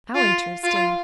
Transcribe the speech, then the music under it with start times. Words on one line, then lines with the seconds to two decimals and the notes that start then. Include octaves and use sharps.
How interesting!
0.15 F4
0.64 F4